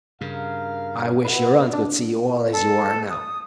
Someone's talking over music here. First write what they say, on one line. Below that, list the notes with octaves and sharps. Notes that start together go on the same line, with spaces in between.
I wish your aunt could see you all as you are now.
G2 C#3 A#4 F5
F3 B3 E4 B4 F#5
D4
A4
D#6